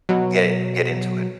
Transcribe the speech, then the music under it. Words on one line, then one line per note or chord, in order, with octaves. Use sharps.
get get into it.
B2 F#3